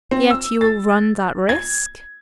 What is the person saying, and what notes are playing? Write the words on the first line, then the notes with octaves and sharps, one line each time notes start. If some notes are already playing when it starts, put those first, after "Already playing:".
"Yet you will run that risk?"
C4
E6
A6
G#6